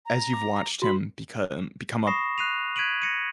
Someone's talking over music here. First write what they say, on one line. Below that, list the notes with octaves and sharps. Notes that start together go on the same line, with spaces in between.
as you've watched him become become a
A#5
D6
F#4 B5
B5 C#6 D#6 A#6 C7 E7
F#6 C7 D#7 F7
F#6 G#6 B6 D7 D#7 F#7
A#6 C#7 D#7